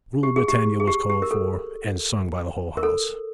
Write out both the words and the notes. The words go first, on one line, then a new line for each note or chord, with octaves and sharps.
'Rule Britannia' was called for and sung by the whole house.
G4
G#4
G4
G#4
G4
G4
A#4
A4
A#4
A4